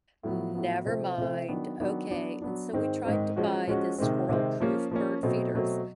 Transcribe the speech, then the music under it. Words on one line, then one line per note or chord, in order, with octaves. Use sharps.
never mind. Okay." And so, we tried to buy the squirrel proof bird feeders,
A2 F#3 B3
A2 F#3 B3
C3 F3 A3 C4
C3 F3 A3 C4
D#3 F#3 B3 D4
D#3 F#3 B3 D4
F#3 B3 D4
F#3 B3 D4
G#2 D#3 G#3 C4
G#2 D#3 G#3 C4
F3 G#3 C#4 F#4
F3 G#3 C#4 F#4
C3 D#3 G#3 C4
C3 D#3 G#3 C4
F3 A#3 C#4
F3 A#3 C#4
B2 F#3 A3 C4
B2 F#3 A3 C4